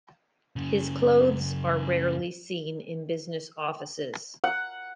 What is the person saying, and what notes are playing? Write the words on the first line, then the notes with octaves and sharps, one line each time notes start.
His clothes are rarely seen in business offices.
F#2 C#3
F#5